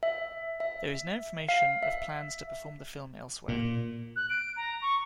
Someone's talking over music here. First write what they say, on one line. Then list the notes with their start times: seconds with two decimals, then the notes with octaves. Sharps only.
There is no information of plans to perform the film elsewhere.
0.03 E5
0.60 E5
1.49 F5
1.83 E5
3.48 A#2
4.16 F#6
4.30 D7
4.56 A#5
4.82 C#6